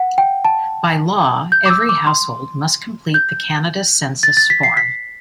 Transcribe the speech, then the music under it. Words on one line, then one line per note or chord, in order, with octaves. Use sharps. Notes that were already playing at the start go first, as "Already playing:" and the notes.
By law, every household must complete the Canada Census form.
Already playing: F#5
G5
A5
G6
D6
E6
D6
C6
G6
A6
A6
B6
C7
B6